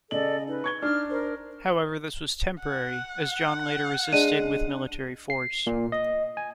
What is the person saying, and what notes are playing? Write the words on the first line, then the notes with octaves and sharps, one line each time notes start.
However, this was temporary, as John later resisted with military force.
C#3 A4 D5 D#5 F#7
D#4 B4
C#6 G#6 G7
D4 D#4 F6
A#4 C5
F#5
G#3 D4 D#7
C7
A#2
D#5
G#5